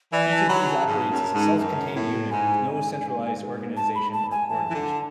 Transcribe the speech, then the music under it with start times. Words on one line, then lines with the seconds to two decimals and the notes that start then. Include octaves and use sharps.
Each of these operates as a self-contained unit, with no centralized organization or coordination.
0.13 E3 D5
0.32 A5
0.49 F#3 B5
0.68 A5
0.86 G#2
1.10 F#2
1.35 G#2
1.59 F#2
1.95 A2
2.31 G#2 G#5
2.68 G#2
3.77 A5
3.95 B5
4.13 A5
4.31 G#5
4.49 E3 A5
4.70 E3
4.74 D3